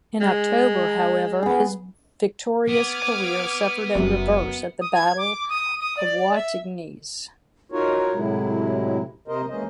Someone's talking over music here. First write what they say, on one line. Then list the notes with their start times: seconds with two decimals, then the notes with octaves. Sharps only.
In October, however, his victorious career suffered a reverse at the Battle of Wattignies.
0.21 G#3
1.43 B3 G#4
2.69 B3 D6 F6 G#6
3.95 F#1 F#2
4.81 D#6
4.94 G#6
5.18 D6
5.49 D#6
5.80 D#6
5.97 D5
6.17 D5
6.35 E5
7.72 D#4 F4 F#4 A#4 C#5
8.14 A2 C3 F#3 G#3 E4
9.28 C3 A#4 C5 D#5
9.49 E3 G#3 A#3 C#4 C5 D#5